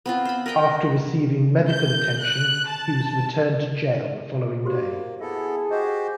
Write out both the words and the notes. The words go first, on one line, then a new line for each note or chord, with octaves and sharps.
After receiving medical attention, he was returned to jail the following day.
B3 C4 F4
C5 B5
A#4 B4 D#5 G5
G6
F#6
A5
A#3 F#4 G4 C5
B3 E4 G#4 A4 E5 A5
F#4 G4 C5 D#5